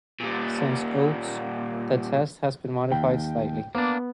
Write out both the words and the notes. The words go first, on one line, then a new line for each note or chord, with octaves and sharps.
Since "Oakes", the test has been modified slightly.
A#2 G3
D#2 G5
A#3 B3 D4